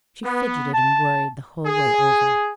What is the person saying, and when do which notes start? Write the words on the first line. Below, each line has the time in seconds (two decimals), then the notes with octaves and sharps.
She fidgeted and worried the whole way over.
0.23 B3
0.73 A5
1.66 G#4